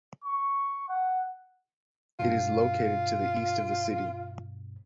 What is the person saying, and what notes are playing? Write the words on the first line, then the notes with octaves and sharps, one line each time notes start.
It is located to the east of the city.
C#6
F#5
G2 B2 F4